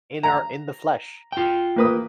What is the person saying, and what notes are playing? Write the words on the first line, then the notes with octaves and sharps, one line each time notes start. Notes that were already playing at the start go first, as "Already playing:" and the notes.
in our in the flesh?
A#5
F4 G5
A#3 B4 D#6